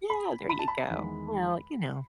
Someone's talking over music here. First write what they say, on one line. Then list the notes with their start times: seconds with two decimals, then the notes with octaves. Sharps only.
Yeah. There you go. Well, you know,
0.10 B5
0.49 B5
0.59 A5
0.68 B5
0.89 E2 D#3 G#3